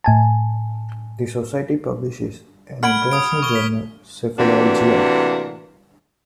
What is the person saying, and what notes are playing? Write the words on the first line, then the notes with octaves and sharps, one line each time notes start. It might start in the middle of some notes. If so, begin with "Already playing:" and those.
The society publishes an international journal "Cephalalgia".
A2 G#5 A5
F#5 B5 F6 G#6 D7
D#6 D7
C#6 G7
B6
A2 C3 E3 A#3 D4 F#4